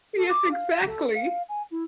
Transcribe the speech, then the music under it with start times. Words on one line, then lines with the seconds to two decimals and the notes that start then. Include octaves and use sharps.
Yes, exactly.
0.15 A4
0.29 D6
0.51 F5
0.86 A4
1.14 F5
1.48 G#5
1.70 E4